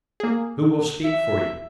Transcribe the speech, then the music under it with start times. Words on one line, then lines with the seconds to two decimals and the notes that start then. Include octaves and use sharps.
"Who will speak for you?"
0.20 A#3 G#4
1.04 E5